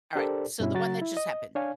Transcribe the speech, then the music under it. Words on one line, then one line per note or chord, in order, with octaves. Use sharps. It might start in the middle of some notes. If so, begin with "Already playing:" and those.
Alright, so the one that just happened.
D4 G4 A4 A#4 C5 D5
G2 B2 C#4 E4
C#3 F#3 F#4 A#5 A6
E4
D#5
D4 C#5 F5 G#5